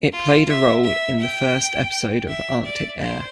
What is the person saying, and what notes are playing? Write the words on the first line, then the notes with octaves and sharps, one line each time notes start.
It played a role in the first episode of "Arctic Air".
F4
E5
E5
G5
E5
D5
C5